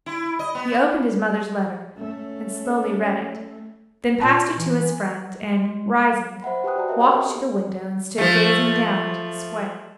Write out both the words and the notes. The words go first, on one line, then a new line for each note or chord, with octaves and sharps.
He opened his mother's letter and slowly read it, then passed it to his friend and, rising, walked to the window and stood gazing down into the square.
E4
D#5
B3
A3 C#4
A#2 A5
E3
G#3
C5 E5 F#5 B5
G4 B4 G5 A5 D#6 F#6
F#4 G4 D5 A5 A#5
A#4 B4 C#5 D#5 E5 A#5
C5 D#5 F#5 G5 A5 A#5
C4 G4 A4 D#6
F3 A3